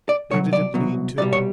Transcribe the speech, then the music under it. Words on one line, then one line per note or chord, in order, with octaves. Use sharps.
Where did it lead to?
D5
C2 B2 F#3 C#5
D5
C2 B2 F#3
C2 B2 G3 D5
C#5